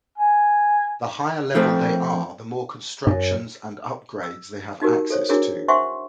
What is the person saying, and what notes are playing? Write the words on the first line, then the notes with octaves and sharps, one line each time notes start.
The higher level they are the more constructions and upgrades they have access to.
G#5
F3 A3 C4
F#2
E6
D#4 F#4 G4 A#4
A4 C5 C#5
D4 E4 F#4 G#4 A#4 C#5
C5 E5 F#5 G#5 C6 C#6